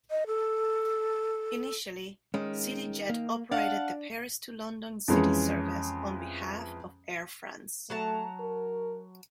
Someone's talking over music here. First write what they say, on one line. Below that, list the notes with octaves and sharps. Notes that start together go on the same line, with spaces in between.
Initially, CityJet operated the Paris to London City service on behalf of Air France.
D#5
A4
D#3 G#3 C#4
A#3
D4 F5 F#5 A5
F2 E3 G#3 C#4
F#3 A3 A5 A#5
A#4